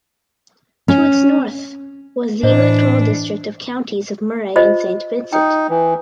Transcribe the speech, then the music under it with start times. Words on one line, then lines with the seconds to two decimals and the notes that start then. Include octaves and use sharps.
To its north was the Electoral district of Counties of Murray and St Vincent.
0.88 C#4
2.43 A2 E3 D4 C5 D#5
4.56 F4 C5 D#5
5.33 D#4 G5
5.70 E3